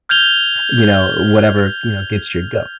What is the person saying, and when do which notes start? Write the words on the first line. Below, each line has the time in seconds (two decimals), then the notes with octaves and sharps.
you know, whatever, you know, gets your goat.
0.09 F6 G6 G#6 F7 G7